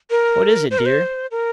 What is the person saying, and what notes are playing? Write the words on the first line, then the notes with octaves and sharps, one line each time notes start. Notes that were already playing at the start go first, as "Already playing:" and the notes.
"What is it, dear?"
A#4
C5
A#4
C5
A#4